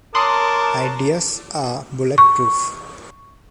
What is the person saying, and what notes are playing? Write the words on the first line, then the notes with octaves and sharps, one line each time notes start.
Ideas are bullet proof.
A#4 C#5 A5 C6 D6 D#6 F#6
C#6